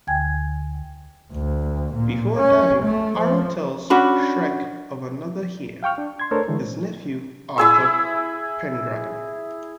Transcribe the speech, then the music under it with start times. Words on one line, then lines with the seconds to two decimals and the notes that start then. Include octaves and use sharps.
Before dying, Harold tells Shrek of another heir: his nephew, Arthur Pendragon.
0.07 D2 D3 G5 G#5 G#6
1.34 D2
1.95 A#2
2.37 C#4
2.83 A3
3.19 F3
3.90 C#4 D4 F#4 B5
5.83 F5 G5 C#6 F6
5.98 D4
6.20 C6 G#6
6.31 A3 D4 A4 A#4 C5 C#5
6.48 D3 E3 G#3
7.58 E4 G#4 E6